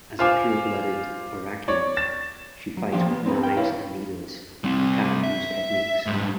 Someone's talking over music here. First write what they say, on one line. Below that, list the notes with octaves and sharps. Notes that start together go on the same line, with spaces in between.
As a pure-blooded Orakian, she fights with knives and needles and cannot use techniques.
F4 C5 F5 G#5 D6
C#5 D5
A6 E7
F#3
F3 A#3 D4 F4 G4
A#3 B3
C4 D#4 B4
A#4 G5
E4 B4 C#5 F5
G3 C4
E5
G#2 G3